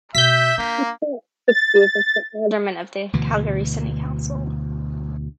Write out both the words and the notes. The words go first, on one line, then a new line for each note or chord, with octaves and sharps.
He spent six years as an Alderman of the Calgary City Council.
B2 A3 E5 G6 B6
A#3 D4
A6
D2 B2 E3